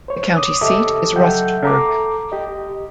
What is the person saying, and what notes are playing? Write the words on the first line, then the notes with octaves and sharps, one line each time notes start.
The county seat is Rustburg.
C5 C#5
D6 D#6
C#3 G4 A4 D#5 E5 D6
F#3 A4 E5 F#5 G5 G6
A4 A#5 D6
G4 D#5